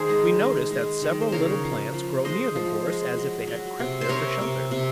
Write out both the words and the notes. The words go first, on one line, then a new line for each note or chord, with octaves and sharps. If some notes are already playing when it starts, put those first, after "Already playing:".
We notice that several little plants grow near the Gorse, as if they had crept there for shelter.
Already playing: D#3 G#4 A#4 C5
G#3
G#3
G#3
D#3
C5
C#3 A#4 C#5
F3
F3
G#3 C5 D#5
F3
G#3
F#3
F#3
C3
C5
C3 A#4 C#5
C3
C3